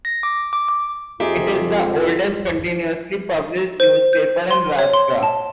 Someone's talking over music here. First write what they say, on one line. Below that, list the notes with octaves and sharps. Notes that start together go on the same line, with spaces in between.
It is the oldest continuously published newspaper in Alaska.
A#6
D6
D6
D6
F2 D#4 F4 G4 G#4 E5
C5
G6
C6
C#5
C6
A5